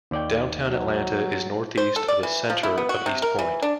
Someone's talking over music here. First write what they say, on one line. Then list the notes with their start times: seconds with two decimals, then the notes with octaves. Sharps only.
Downtown Atlanta is northeast of the center of East Point.
0.11 D#2 D5 G5
0.69 F#3
1.77 C5
1.96 A4
2.08 D5
2.23 E3
2.50 F3
2.63 E4
2.78 B3
2.89 F#4
3.06 C3
3.22 A#4
3.39 E3
3.62 D4